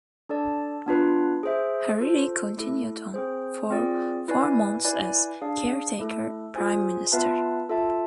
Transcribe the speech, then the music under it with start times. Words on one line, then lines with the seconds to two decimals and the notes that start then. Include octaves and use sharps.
Hariri continued on for four months as caretaker Prime Minister.
0.29 D4 A4 D5 A5
0.86 B3 D4 F4 B4
1.43 G#4 C5 E5
2.00 F4 A4 C5
2.57 A3 E4 A4
3.14 C4 G#4 C5
3.71 C4 F4 G#4 D5
4.28 E4 B4 D5 G#5
4.84 E4 B4 D5 G#5
5.42 D4 G#4 D5 F5 A5
5.99 A3 E4 A4
6.56 F4 G#4 C5 G#5
7.12 B3 F4 B4 E5 A5
7.69 F4 A4 E5 A5